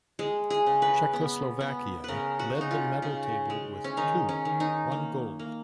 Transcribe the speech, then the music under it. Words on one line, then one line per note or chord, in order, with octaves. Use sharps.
Czechoslovakia led the medal table with two, one gold.
G#3 G#4
G#4
C#3
B4
B3
B3
C#3 A#4 B4
F#4
C#3
D#4
F4
C#3
G#3
C#4
D#3 D#4
C#4
D#3
D#4
A#3
A#3